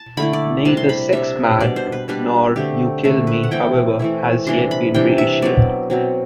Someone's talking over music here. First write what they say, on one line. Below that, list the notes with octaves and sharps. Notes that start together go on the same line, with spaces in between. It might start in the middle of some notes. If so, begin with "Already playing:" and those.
Neither "Sex Mad" nor "You Kill Me", however, has yet been reissued.
Already playing: A5
D3 A3 E4 B5
D5
C3 G3 D4 A5
C6
B5
C3 G3 D4 E5
B2 G3 D4 D5
C5
B4
B2 G3 D4 B4
D3 A3 C4 G4
D3 A3 C4 A4
B4
F#5
E3 A3 C4 E4 G5
E3 A3 C4 E4
C3 E3 G3 D4 C6
B5
C3 E3 G3 D4 G5
E5
B2 F#3 C4 D5
B2 F#3 C4